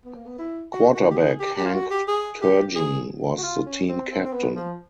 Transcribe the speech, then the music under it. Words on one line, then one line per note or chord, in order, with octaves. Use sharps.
Quarterback Hank Turgeon was the team captain.
B3
A#3
B3
E4
F#4
F#4
G4
G#4
G4
G4
F4
F#4
G4
G#4
G4
G#4
F#4
F4
C#4
C4
C4
C4
B3
F3